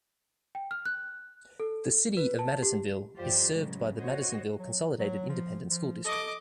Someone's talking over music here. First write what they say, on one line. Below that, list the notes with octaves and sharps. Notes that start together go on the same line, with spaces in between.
The City of Madisonville is served by the Madisonville Consolidated Independent School District.
G5
F6
F#6
A4
B4
A5
G4
F#2 E3 F4 G4 C5 D5
A2 C#3 F#3 G#3 A3
F#4 C5 C#5 D#5
F#3
F#3
F3
F3
A4 D#5 D6